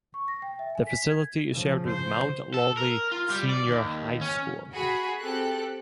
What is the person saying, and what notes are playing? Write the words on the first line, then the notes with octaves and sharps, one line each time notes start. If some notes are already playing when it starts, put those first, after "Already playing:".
The facility is shared with Mount Lawley Senior High School.
C#6
A#6
G5
E5
G#5
B6
G#6
C#3 F3
C5
A4
A#4
F4
G3
D5
D#2
C#4
F#4 G#4 B5
C4 G4 A4 F#6